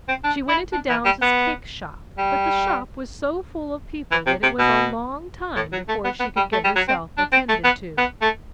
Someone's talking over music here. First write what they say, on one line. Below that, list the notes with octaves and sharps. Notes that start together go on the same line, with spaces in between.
She went into Downes's cake-shop but the shop was so full of people that it was a long time before she could get herself attended to.
C4
D4
E4
D4
E3
G3
B3
G3
E3
C3
C3
B2
A2
F#3
A3
B3
B3
G3
A3
G3
F#3
C4
D4
C4
A3
B3
B3
A3